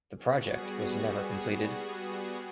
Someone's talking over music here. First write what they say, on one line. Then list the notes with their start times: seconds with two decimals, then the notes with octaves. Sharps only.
The project was never completed.
0.16 G3 B3 F#4 G#4